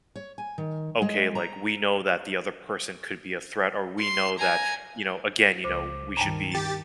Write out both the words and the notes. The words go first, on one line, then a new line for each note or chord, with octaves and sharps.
okay, like we know that the other person could be a threat, or we know that, you know again, you know, we should be
C#5
G#5
D#3
G#3
A#5
C6
G#5 A#5
C#2 C5 D6
G2 D#3 G5 A5 A#5
G4 A6